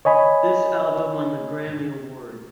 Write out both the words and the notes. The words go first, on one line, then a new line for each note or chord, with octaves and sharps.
This album won the Grammy Award.
C#5 D#5 G#5 B5